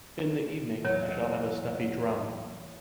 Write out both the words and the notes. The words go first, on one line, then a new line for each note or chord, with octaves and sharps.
In the evening I shall have a stuffy drum.
E2 F#3 C#5